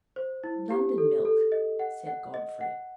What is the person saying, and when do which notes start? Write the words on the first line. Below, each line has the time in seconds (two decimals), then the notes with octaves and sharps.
"London milk!" said Godfrey.
0.16 C5
0.44 E4
0.71 G4
0.98 A4
1.25 A4
1.52 D#5
1.79 F#5
2.07 F#5
2.34 D#5
2.61 F#5